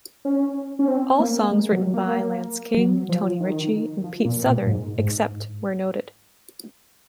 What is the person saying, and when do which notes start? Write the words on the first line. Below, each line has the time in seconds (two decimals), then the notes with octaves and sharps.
All songs written by Lance King, Tony Ritchie, and Pete Southern, except where noted.
0.25 C#4
0.79 C#4
0.88 C4
1.19 A#3
1.52 G#3
1.72 F#3
1.94 A#3
2.77 F#3
3.09 F3
3.40 D#3
4.04 F3
4.25 A#2
4.46 A#2
4.66 G#2
4.98 G#2